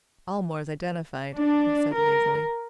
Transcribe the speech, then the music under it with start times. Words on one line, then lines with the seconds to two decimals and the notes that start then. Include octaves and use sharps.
"Aylmore's identified," he said lazily.
1.35 D4
1.94 A#4